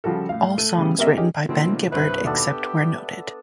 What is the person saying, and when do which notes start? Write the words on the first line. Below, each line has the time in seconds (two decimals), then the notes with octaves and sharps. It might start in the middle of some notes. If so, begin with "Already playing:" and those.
All songs written by Ben Gibbard except where noted.
0.04 C#3 F3 G3 F#4 A4
0.29 A2 F5
0.58 A3 D#7
0.77 A2 C#3 E3 G3 B3 G4
0.99 A#3 C4 G4 A#4 D#5 E5
1.17 C#4 D#4 G4 G#4 A#4
1.49 B2 D3 F3 A#3 C4 E4
1.92 C2 G2 B4 C5 E5
2.25 D#2 B2 B3 D4 A4 E5
2.37 G4 B5